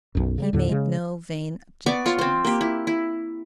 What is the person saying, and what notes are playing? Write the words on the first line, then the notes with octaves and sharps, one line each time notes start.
He made no vain objections.
B1 F#2
C#3 F#3 G3
D#2 A2 D3
C#3 G#3
B3 D5 C#6 D6
F4 C#5
C4 C5
A#3 G4
E4
E4